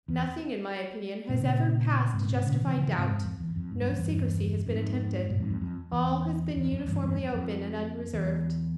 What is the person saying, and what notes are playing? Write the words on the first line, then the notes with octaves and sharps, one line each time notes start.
Nothing in my opinion has ever passed to justify doubt; no secrecy has been attempted; all has been uniformly open and unreserved.
E2
G2 A#2
A#2 C#3
G#2 C3
G#2 C3
A#2 C#3
C3 E3
C#3 F3
C3 E3
G#2 C3
F2 G#2
F2
E2
F2
G#2
G2
F2
E2 G2
F2 G#2
G2 A#2
F2 G#2
F2
F2
E2
E2
F2
E2 G2
E2 G2
F2
F2
E2